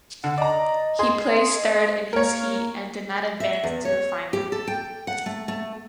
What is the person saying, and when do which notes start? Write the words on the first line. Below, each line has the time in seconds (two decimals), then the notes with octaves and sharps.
He placed third in his heat and did not advance to the final.
0.24 D3 F#5
0.38 D5 D#5 A#5
0.99 G#4 C6
1.54 D#5
2.13 A#3 A#4 C#5
3.40 E5
3.64 E2
3.85 C#5
4.33 G4
4.52 A4
4.67 G5
5.07 F#5
5.26 A3
5.48 A3